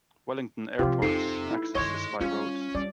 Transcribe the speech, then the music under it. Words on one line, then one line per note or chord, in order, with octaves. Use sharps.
Wellington Airport's access is by road.
C3 F3 C4 F4 G4
F2 C3 D#4 A4 C7
E4
G2 D#3 C#5 D#5 C6
G3 C#4 F4
G3 D5